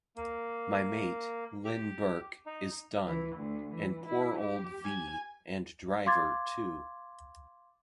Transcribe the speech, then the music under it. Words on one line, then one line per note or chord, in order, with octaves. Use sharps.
My mate, Len Burke, is done, and poor old V. and Driver too.
A#3
G4
D#4
E3
D2
E3
E4
G4
G#5
F5 C6 D6 G#6 A6